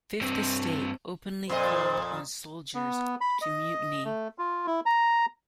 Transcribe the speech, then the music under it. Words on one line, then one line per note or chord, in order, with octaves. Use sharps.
"Fifth Estate" openly called on soldiers to mutiny.
G2 C4
F2 A#2 C5 D#5
B3
B5
D#5
A3
F4
E4
A#5